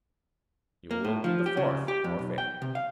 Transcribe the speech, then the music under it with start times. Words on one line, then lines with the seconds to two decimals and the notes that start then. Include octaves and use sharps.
You will be the fourth or fifth.
0.91 A#3
1.04 A2
1.24 F3
1.46 G4
1.57 C#3
1.88 G4
2.04 F2
2.19 B1
2.38 G5
2.62 C3
2.75 F5